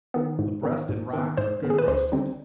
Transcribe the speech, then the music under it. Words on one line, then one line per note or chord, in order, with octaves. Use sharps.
The breast and rack are good roasted.
D#3 B3
G#2
D#3 B3
G#2
D#3 B3
G#2 C5
D#3 B3
G#4
B4
D2 C5
D3 G3 C4 D#4